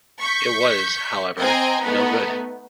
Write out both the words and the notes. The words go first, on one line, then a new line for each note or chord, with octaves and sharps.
It was, however, no good.
C#6 G6 B6
C4 D#5 G5 G#5 A#5
A3 B3 D#4 B4